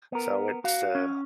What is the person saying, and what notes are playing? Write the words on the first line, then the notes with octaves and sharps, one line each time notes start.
So it's uh,
B3 A#4
F#4 F5
C#4